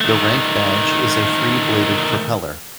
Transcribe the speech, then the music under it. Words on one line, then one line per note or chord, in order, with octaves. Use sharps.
The rank badge is a three-bladed propeller.
D#3 A3